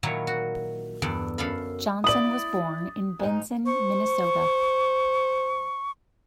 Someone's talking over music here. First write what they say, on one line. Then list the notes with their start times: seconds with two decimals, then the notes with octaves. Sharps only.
Johnson was born in Benson, Minnesota.
0.03 A#2 D#3 F#3 E4 C#5
0.27 F#4
1.02 E2 G2 A4 D5
1.38 F#2 A4 F5 B5
2.04 E4 D5 D#6 F#7
3.19 G#2 D#4
3.66 C5 C#6